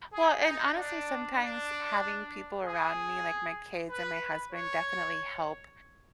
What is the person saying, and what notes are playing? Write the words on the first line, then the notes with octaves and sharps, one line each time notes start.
Well, and, honestly, sometimes having people around me, like my kids and my husband, definitely help
G#4
D#4
D4
D4
G#4
B4
C#5